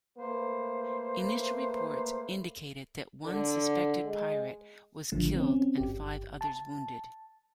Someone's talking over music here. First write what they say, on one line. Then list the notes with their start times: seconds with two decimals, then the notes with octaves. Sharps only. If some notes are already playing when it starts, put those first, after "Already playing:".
Initial reports indicated that one suspected pirate was killed and five others wounded.
0.18 A3 A#3 B4 C5
3.25 D3
4.04 G#3
5.12 A1 D3 F3 A3
5.36 C4 C#4
5.78 G1 G4
6.41 A5